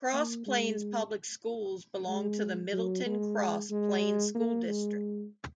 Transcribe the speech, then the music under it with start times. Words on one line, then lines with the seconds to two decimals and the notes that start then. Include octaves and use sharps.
Cross Plains Public Schools belong to the Middleton-Cross Plains School District.
0.13 A#3
0.46 G#3
2.08 G#3
2.73 F#3
3.06 G#3
3.70 G#3
4.35 A#3
4.67 G#3